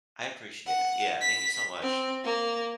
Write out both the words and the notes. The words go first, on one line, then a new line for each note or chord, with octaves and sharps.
I appreciate it. Yeah. Thank you so much.
F#5
B6
C4
A#3